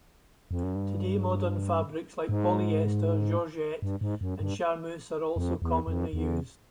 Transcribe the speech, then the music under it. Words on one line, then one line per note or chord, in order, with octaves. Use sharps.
Today, modern fabrics like polyester, georgette and charmeuse are also commonly used.
F2
F#2
G2
G#2
G2
G#2
F#2
G2
F2
E2
F2
E2